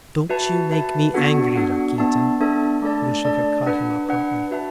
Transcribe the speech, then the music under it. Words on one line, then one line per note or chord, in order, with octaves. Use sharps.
"Don't you make me angry, Rakitin." Grushenka caught him up hotly.
F#4 B4 E5 A5
F#4 B4 E5 A5
B3 D4 F#4 A4 F#5
B3 D4 F#4 A4 F#5
B3 D4 A4 E5 A5
B3 D4 A4 E5 A5
A3 D4 A4 D5 A5
A3 D4 A4 D5 A5
D4 B4 F#5
D4 B4 F#5
F#4 B4 E5 A5